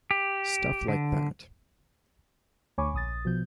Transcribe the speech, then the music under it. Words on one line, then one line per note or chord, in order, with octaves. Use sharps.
Stuff like that.
G4
D3
D2 C#5 G#5 B5 C#6 D6
A#1 D#6 A6
B2 F3 G6